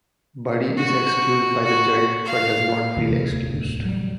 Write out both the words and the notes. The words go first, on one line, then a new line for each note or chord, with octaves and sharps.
Buddy is excused by the judge, but does not feel "excused".
F#4
F#4
F5
D1 E2 C3
F#3 G3